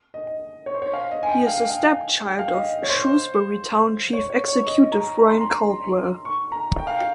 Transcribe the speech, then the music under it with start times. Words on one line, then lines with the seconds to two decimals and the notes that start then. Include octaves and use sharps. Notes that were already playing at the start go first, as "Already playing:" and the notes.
He is the stepchild of Shrewsbury Town chief executive Brian Caldwell.
0.14 D#5
0.66 C#5
0.74 C5
0.82 C#5
0.93 F5
1.11 D#5
1.23 G#5
1.29 G5
1.47 F5
1.58 G5
1.70 F5
2.26 G5
2.39 F5
2.53 D#5
2.83 C#5
2.89 C5
4.13 C#5
4.30 C#5
4.48 C#5
4.67 D#5
4.92 A#5
5.19 A#5
5.29 C6
5.41 A#5
6.25 C#6
6.52 A#5
6.79 G5
6.87 F5
6.96 G5